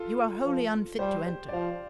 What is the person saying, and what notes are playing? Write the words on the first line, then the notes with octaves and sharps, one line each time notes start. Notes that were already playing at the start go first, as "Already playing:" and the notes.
You are wholly unfit to enter.
Already playing: F4 A4
F3
G3 G4 C5
G4 C5
D5
F3 C5 F5